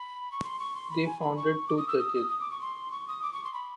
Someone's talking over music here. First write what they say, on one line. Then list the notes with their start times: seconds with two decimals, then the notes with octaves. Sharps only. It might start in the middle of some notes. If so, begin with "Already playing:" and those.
They founded two churches.
Already playing: B5
0.32 C#6
0.44 C6
0.59 C#6
0.75 C6
0.90 B5
1.06 G#5
1.21 B5
1.37 C#6
1.68 D6
1.78 D#6
1.88 E6
1.98 D#6
2.15 D#6
2.29 D#6
2.40 D6
2.51 C#6
2.61 C6
2.91 C#6
3.08 D#6
3.22 D6
3.33 C#6
3.44 C6
3.53 B5